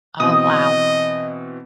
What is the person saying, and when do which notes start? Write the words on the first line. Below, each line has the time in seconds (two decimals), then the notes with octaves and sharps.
Oh, wow.
0.20 B2 E3 C4 D#5 D#6